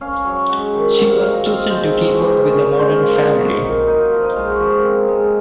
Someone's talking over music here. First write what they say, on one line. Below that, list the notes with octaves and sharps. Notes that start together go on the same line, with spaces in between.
She was chosen to keep up with the modern family.
C#4 F5
F5
F#3 C#5
G#3 F#5
D#3
C4 F#5
F5
F#3 F5
D#5
C4 F5
D#5
G#3 C5
D#4
C4
F#4
F3 G#4
C5
C#4 A#4
C5
G#3 C#5
C5
A#3 F4
F4
F3 D#4
F4
F#3 F#4
D#3
A#3 D#4
F4
F3
D#4
G#3 F4
F#4
F3
A#4
C4
G#3